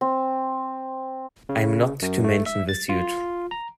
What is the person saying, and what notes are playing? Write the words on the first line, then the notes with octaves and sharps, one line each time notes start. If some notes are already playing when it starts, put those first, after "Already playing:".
I am not to mention the suit.
C4
C#3
F#2
A3
E5
A6
F4
A#5